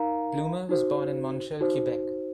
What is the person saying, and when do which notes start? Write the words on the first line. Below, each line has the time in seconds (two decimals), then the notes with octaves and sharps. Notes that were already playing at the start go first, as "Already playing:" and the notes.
Blumer was born in Montreal, Quebec.
Already playing: D#4 A#4 F5 A#5
0.69 D#4 F#4 C5
1.61 D#4 F#4 C5